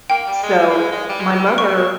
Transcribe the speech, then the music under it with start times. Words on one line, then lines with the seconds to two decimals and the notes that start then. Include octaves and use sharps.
So, my mother
0.10 A#3 G5
0.27 G3
0.43 G#3
0.59 G#3
0.69 A#3
0.75 G#3
0.92 G#3
1.09 G3
1.20 G#3
1.33 G3
1.46 C#3
1.58 C3 C#6
1.68 C3
1.74 A#2